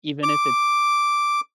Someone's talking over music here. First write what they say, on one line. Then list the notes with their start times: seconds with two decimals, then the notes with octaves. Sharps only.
Even if it's
0.23 D6